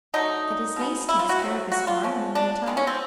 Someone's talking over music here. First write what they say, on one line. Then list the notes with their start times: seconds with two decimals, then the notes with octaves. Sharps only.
"And his niece takes care of his farm in the meantime?"
0.14 D3 F#3 A3 D#4
0.76 B2 G#3 B3
1.09 E4
1.19 F4
1.29 F#4
1.40 C3 D#3 F#3
1.72 F#4
1.87 F4
2.03 C#3 F3 A3
2.35 D4
2.66 D#3 G#3 B3
2.77 C#4
2.87 C4